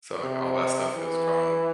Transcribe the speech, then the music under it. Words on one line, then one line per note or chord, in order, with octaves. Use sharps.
So, like, all that stuff feels gone.
C3
E3